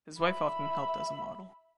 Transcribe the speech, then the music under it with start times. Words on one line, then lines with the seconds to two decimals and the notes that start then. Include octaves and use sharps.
His wife often helped as a model.
0.20 E5 B5